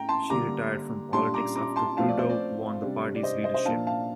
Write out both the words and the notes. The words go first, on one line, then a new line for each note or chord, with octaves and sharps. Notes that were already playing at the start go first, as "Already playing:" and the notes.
She retired from politics after Trudeau won the party's leadership.
Already playing: A2 A3 G5 A#5
A5 C6
D3 G3 A#3 A#5 D6
A#2 G3 D4 A5 C6
A#5 D6
A#5 D6
A5 C6
F3 A3 C4 F5 A5
D5
C5
D5
C3 G3 D4
D5
C5 D#5
C5 D#5
C5 D#5
A#2 F3 A#3 D4 F5 A5
F5 A5